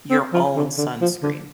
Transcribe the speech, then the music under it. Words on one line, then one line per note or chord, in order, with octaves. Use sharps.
your own sunscreen,
C4
F3
D3
D3
F3
D3